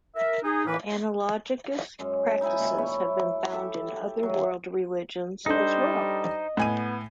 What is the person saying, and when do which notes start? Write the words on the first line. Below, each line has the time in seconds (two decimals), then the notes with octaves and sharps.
Analogous practices have been found in other world religions as well.
0.16 A#4 E5
0.43 D#4 G#4
0.66 A2 E3 A#3 B4
1.99 F#2 G#3
2.41 D#4 E4 G#5
2.59 A#2 D#3
2.78 E4 C#5 B5
3.51 G4 A4 E5
4.23 F#3
5.46 G3 D4 D#4 A4 C5 D#5
6.57 A2 B3 G#5 D#7